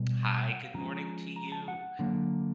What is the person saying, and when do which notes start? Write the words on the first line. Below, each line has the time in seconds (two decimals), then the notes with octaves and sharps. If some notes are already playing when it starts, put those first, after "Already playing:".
Hi, good morning to you.
Already playing: B2 G3
0.43 G5
0.52 F#5
0.64 F5
0.74 C3 F3 G#3 C#4 A#5
1.36 A#5
1.52 A5
1.68 F#5
1.99 D3 F#3 A#3